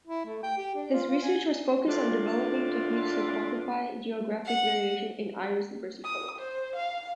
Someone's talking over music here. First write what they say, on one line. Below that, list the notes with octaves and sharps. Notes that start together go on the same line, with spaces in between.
His research was focused on developing techniques to quantify geographic variation in "Iris versicolor".
E4
A3
G5
G4
D4
F4
F4
G#5
A2 D3 D4 F4
F#5
D#6
C5
F5